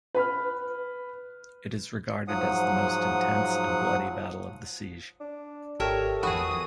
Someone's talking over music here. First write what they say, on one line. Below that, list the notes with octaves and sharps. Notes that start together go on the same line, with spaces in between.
It is regarded as the most intense and bloody battle of the siege.
B4 B5 F6
G#2 F3 F#3 F#5 D#6
D4
G#1 G4 A4 A#4 C#5 E5 G5
E2 E3 F#4 G#4 B5 D#6